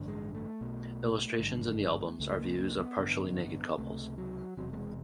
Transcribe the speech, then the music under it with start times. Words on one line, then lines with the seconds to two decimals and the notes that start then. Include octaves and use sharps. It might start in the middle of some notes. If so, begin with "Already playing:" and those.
Illustrations in the albums are views of partially naked couples.
Already playing: A1 G2 D3
0.08 G#3
0.35 A3
0.61 B1 B2
1.39 G#1 G2 D3
2.20 C#2 C#3 A3
2.39 A#3
2.59 A#3
2.79 B3
2.98 A1 G2 D3
3.78 C#2 C3 A3
4.18 F#3
4.57 E1 E2 C3 F#3
4.73 A3
4.77 G#3